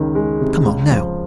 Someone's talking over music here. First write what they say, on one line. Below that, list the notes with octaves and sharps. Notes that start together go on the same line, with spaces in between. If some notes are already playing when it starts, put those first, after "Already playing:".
"Come on--now."
Already playing: C#2 D#3
G#3
C3
C#2
F3